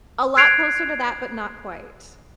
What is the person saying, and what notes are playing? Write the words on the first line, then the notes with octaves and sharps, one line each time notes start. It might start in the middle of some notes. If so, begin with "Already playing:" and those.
A lot closer to that but not quite.
F#6 G#6 C7 D7 F7